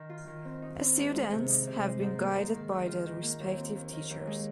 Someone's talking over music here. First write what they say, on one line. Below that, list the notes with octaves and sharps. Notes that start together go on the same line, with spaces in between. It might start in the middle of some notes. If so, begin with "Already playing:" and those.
Students have been guided by the respective teachers.
Already playing: D#3
F4
D#3
C4
D#4
C4
G#2
G#3
C3
D#4
C3
G#3
G#2
A#3
G#2
D#3
D#3
F4
D#3
A#3
D#2
C4
D#2
D#3
D#2
G#3